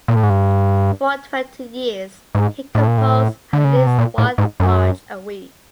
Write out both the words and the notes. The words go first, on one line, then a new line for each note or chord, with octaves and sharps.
For twenty years he composed at least one march a week.
A#2
A2
G#2
G2
G#2
A2
A#2
A2
D3
C#3
C3
B2
A#2
A2
G#2
F#2